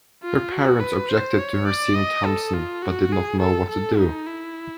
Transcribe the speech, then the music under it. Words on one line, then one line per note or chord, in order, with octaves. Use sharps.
Her parents objected to her seeing Thompson but did not know what to do.
F4
F#4
B4
C5
C#5
D5
D#5
A4
F4
F#4
G#4
A4
A4
D#4
E4